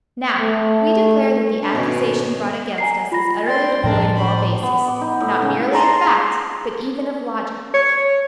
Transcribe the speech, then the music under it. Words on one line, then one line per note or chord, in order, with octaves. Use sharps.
Now, we declare that the accusation brought against us is utterly devoid of all basis, not merely of fact but even of logic.
A3
D4
G#1 B2 C#4 D#5
G#5 A#5 C7
F4 B5 A#6
C4 D5 G5 C6 A6
A2 F3 C#4 D4 A#4 G5
C5 B5
B3
D6
D#4
A2
C#3
G#4 A5 A#5 C6
C#5